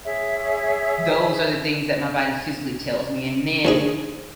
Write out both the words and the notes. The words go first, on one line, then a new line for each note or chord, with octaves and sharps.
those are the things that my body physically tells me and then,
G#4 C#5 E5
D#2 C3 G#4